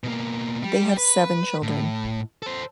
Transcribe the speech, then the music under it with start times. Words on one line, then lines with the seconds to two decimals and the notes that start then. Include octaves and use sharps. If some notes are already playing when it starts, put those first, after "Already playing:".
They have seven children.
0.04 B2 A#3
0.64 G3
0.97 B4
1.63 A2
2.43 A4 C5